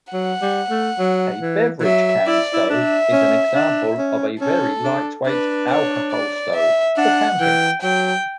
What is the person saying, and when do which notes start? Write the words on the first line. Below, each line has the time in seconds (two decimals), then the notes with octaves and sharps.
A beverage-can stove is an example of a very lightweight alcohol stove for camping.
0.13 F#3 F#5
0.42 G3
0.70 A3
0.98 F#3
1.41 E3
1.80 E3
1.84 F#3 E5
2.27 E4 D5
2.53 E4
2.70 D4 E5
3.12 C#4
3.55 D4
3.98 C#4
4.41 C#4 A4
4.83 D4
5.26 D4 B4
5.69 C#5
6.12 D5
6.55 E5
6.97 D4 F#5
7.40 E3 G5
7.83 F#3 G5